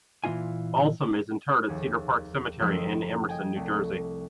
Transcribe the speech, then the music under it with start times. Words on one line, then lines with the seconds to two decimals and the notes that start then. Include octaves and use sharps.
Balsam is interred at Cedar Park Cemetery, in Emerson, New Jersey.
0.24 A#2 E3 F3 D#4 F4 G#5
1.68 F1 D#2 G#4
2.59 F#1 F3 A3 A#4 E6 B6
2.77 D#5
3.29 D#5 G5 G#5
3.55 C2 A3